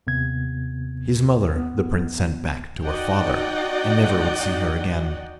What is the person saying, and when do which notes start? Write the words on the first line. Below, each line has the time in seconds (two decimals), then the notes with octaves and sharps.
His mother the prince sent back to her father, and never would see her again.
0.07 D#2 C3 B3 G#6
1.56 B3
2.83 D#4 F#4 D5 D#5 F#5 G5